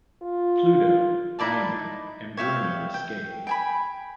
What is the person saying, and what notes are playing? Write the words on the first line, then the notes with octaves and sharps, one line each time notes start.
Pluto, Dina, and Bruno escape.
F4
D#4 E4 D5 A5
C#5 E5 F5 G5
G5
G5 G#5 B5